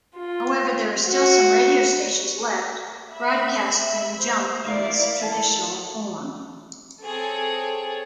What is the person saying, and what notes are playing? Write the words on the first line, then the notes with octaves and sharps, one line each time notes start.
However, there are still some radio stations left, broadcasting Jump in its traditional form.
F4
F#4
E5 B5 E6
C5
E4 A#4 D5 F5
A4 A5
C4 G#4 A4 C#5